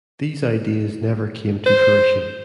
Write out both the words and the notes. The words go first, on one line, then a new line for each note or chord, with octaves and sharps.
These ideas never came to fruition.
C5